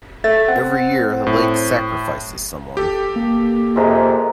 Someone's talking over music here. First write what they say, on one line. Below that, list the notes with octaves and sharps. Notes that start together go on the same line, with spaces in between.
Every year the lake sacrifices someone.
A3 E5 A6
C4 F#5
A2
G4 A4 G5
A#3
F2 C3 G#3 A#4